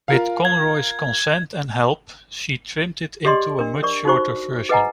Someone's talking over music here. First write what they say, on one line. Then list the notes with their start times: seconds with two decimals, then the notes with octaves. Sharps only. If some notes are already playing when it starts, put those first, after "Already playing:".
With Conroy's consent and help, she trimmed it into a much shorter version.
0.08 F4 A#4 F5
0.45 G#6
3.25 G4 G#4 D5 D#5 C6
3.59 D4 A#4
3.83 A#4 D5 C#6
4.05 D#4 F#4 C5 C#6
4.69 G#4 B4 D#5 F#5 G#5 A#5